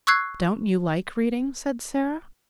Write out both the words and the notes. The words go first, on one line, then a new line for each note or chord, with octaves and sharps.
"Don't you like reading?" said Sara.
C#6 E6 F#6 G#6 C7